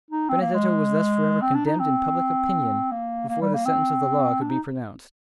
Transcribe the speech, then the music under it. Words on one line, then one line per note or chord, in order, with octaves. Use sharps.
Benedetto was thus forever condemned in public opinion before the sentence of the law could be pronounced.
D#4
C4
A#3
G#3
C4
D4
D#4
C4
A#3
A#3
G3
A#3
C4
D4
D#4